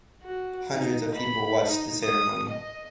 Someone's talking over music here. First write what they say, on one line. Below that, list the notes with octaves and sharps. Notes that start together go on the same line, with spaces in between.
Hundreds of people watched the ceremony.
F#4
D#4
B5
D#4
D#6
D#5